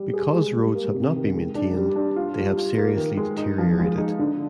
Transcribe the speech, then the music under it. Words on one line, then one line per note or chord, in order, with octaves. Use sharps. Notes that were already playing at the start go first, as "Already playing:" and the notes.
Because roads have not been maintained, they have seriously deteriorated.
Already playing: G3
G#4
G#3
G3
A#3
C3
D#3
G#3
D4
G3
D4
F4
G3
F4
A#3
D#3
G#3
D#4
F3
G#3
D#4
D3